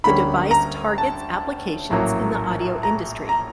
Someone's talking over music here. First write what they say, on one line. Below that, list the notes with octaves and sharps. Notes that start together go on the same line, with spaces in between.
The device targets applications in the audio industry.
D2 D3 G3 A#3 C#4 B5
A#5
A5
A#1 A2 F#3 A#3 C#4
A#5
A#5